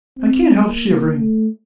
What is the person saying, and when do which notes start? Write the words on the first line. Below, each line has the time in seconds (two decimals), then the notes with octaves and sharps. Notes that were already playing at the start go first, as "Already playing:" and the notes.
I can't help shivering.
0.18 C4
0.61 A#3
0.91 A#3
1.20 A3